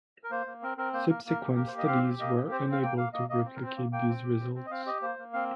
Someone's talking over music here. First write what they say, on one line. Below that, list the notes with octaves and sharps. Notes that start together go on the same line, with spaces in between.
Subsequent studies were unable to replicate these results.
A#4
A#3 C5
A#3
C4 A#4
C4 A#4
A#3 C5
A#3 A#4
A#3 A#4
G4
A#3 A#4
C5
G4
D#5
C4 F5
G4
A#3 D#5
G4
C4 C5
C5
C4
F5
A#3 G5
A#3 F5
A#3 D#5
A#3 D#5
C4
A#4
C4 C5
A#3
A#3 G5
C4
G4
C4
C4
D#5
C4 F5
G4 D#5
A#3 C5
A#3
C4 F5